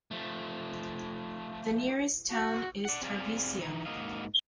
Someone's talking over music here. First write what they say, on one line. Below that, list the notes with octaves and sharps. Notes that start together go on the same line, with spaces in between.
The nearest town is Tarvisio.
F3 A3
F#4
D5 F#5
C4 G#4 D5 F5
E3 C#4 D#4
G#2 G#3 A#3 F#4 D#5 F5